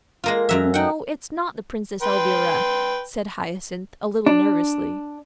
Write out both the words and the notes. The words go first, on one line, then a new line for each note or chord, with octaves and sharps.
"No, it's not the Princess Elvira," said Hyacinth, a little nervously.
G#3 A#3 F4 A4 A#4 D5
F#2 F#3 E5
C#5 D#5 F#5 G5 A5
B4 G5 C6
D4